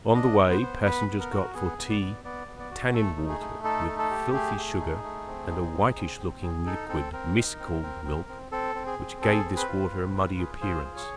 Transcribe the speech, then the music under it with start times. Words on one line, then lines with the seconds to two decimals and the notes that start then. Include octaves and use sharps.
On the way passengers got for tea tannin water with filthy sugar and a whitish looking liquid mis-called milk which gave this water a muddy appearance.
0.15 D4 D#5
0.39 B3
0.50 C5
0.62 B3
0.85 B3 B4
1.08 B3
1.20 A#4
1.32 F#4
1.54 B3 G#4
1.78 B3
1.89 D5
2.01 B3
2.24 B3 D5
2.47 B3
2.59 D5
2.71 F#4
2.94 A3 A4
3.17 D#4
3.29 G#4
3.40 A3
3.64 D#4 A4
3.87 A3
3.99 A4
4.10 G4
4.33 A3 G#4
4.57 A3
4.80 D#4
5.04 A3
5.27 C4
5.50 D#4
5.73 C4
5.97 C4
6.19 C4
6.43 G#4
6.66 D#4 A4
6.89 C4 A4
7.13 C4 A#4
7.36 D#4
7.59 C4
7.83 C4
8.05 C4
8.29 C4
8.52 C4 A4
8.75 C4
8.87 G#4
8.99 C4
9.22 G#4 A4
9.45 C4
9.57 B4
9.68 F4
9.91 C4
10.15 F4
10.38 G#4
10.61 F4 C5
10.85 G#4
10.96 C#5